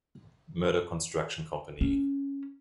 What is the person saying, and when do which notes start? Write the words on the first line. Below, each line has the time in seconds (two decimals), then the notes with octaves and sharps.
Murdock Construction Company.
1.81 C#4